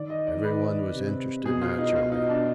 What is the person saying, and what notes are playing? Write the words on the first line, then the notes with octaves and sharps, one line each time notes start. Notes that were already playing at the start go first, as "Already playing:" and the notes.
Everyone was interested naturally.
Already playing: D#3 D5
D#5
D5
B4
C3
B2 G#4
F4
D#4
F4
D#4
D4